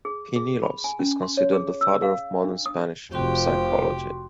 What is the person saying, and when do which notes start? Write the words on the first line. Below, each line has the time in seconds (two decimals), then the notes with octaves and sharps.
Pinillos is considered the father of modern Spanish psychology.
0.05 G#4
0.36 G#4
0.63 B5
0.84 G#5
0.99 C#4
1.23 C6
1.37 C#5
1.53 G#4
1.81 E6
2.02 F5
2.45 D4
2.66 D#6
3.12 F1 C3 F3 F#4 G4 C6 C#6